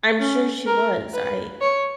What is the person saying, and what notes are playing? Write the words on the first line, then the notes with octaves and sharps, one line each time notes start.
I'm sure she was. I
C#4
A#4
B4
C#5